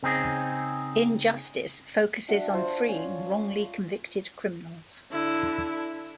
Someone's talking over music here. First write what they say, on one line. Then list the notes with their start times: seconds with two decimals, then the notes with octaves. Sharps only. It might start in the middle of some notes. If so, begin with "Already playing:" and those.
"In Justice" focuses on freeing wrongly convicted criminals.
0.03 C#3 C4 D#4 G#4
2.28 D4 F#4 E5 C6
2.53 F4 C5 A5
2.89 C#4
3.37 C6
5.12 D3 E4